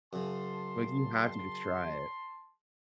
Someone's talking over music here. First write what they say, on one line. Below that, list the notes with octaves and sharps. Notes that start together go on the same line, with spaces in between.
like, you have to to try it.
F#2 C#3 A5 C6